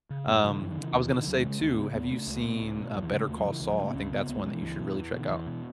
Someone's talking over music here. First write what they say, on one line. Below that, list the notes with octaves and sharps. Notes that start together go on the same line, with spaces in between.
Um, I was gonna say too, have you seen a Better Call Saul? I think that's one that you should really check out.
C#3
F#2 B3
G#3
C#3 F#3
D#3
F#2 E3
D#3
C#3
E3
D#2 D#3
E3
C#3
D#3
D#2 F#3
G#3
C#3
G#3
D#2 A3
C#4
C#3 B3
D#2 B3
C#3 A3
C#2
B2
C#2
B2
D#2 F#3
E3
C#3 F#3
G#3
D#2 A3
C#3 F#3
E3
C#2 E3
F#3
C#3
A3
B3
C#2 C#4
C#3 B3
C#2 B3
A3
B2 G#3
E3
C#2
B2
E2
B2
D#3
E2 E3
B2